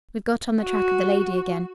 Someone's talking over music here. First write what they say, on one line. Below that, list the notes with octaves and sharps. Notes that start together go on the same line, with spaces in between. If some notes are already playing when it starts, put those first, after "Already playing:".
We've got on the track of the lady again.
F#4